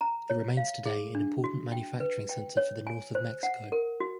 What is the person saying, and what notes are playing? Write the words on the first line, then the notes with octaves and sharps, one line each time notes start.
It remains today an important manufacturing centre for the north of Mexico.
A#5
C#5
F5
G#4
D4
F#4
G5
B4
G5
C#5
G#5
C5
F#5
A#4
F#4